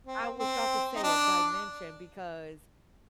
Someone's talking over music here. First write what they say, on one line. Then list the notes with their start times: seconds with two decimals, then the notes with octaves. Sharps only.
I was 'bout to say, a dimension, because
0.07 C4
0.40 C4
0.96 D#4
1.03 D4